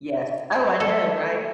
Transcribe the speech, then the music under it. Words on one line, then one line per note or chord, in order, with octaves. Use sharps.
Yes. Oh, I know. Right?
A4